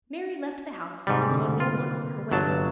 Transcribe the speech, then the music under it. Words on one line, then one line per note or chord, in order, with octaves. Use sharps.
Mary left the house, and saw no one on her way.
G#2 C3 G3
B2 D3 C4
A#3 F4 B4
G1 F#3 A5